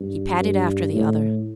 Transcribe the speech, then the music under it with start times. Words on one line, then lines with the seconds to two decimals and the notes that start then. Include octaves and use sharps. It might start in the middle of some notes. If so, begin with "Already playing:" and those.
He padded after the other.
Already playing: G2
0.41 G2
0.93 A2